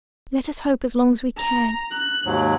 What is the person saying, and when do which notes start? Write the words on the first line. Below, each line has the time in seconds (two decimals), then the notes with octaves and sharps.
'Let us hope as long as we can.
1.37 A#5
1.91 F#6
2.25 D#2 G#2 F#3